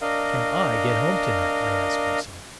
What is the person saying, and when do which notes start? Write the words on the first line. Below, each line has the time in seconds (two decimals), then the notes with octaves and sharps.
"CAN I get home tonight?" I asked myself.
0.01 D4 A#4 D#5 F5